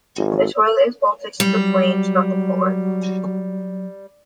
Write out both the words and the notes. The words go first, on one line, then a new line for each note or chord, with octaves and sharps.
The toilet is bolted to the flange, not to the floor.
G#1
F#3 G3